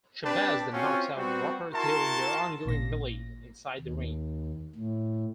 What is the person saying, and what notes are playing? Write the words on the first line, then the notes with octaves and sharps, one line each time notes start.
Shabazz then knocks out Roper during their ongoing melee inside the ring.
C4 D4 G4 B4 D5 A5
C4 C#4 F4 F#4
G3 B3 C4 F#4
E4 F#4 A#4 A5 C6
A1 A#2 A#6
D#2
A2